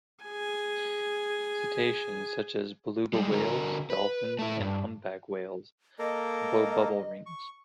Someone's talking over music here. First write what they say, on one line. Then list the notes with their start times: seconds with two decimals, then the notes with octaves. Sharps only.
Cetaceans, such as beluga whales, dolphins and humpback whales, blow bubble rings.
0.24 G#4 G#5
3.13 G3 G#3
3.30 D3 F#4 A#4
3.90 B4
4.39 A3 E4
4.60 G2
5.99 A#3 A4 A#4 D#5
7.26 C#6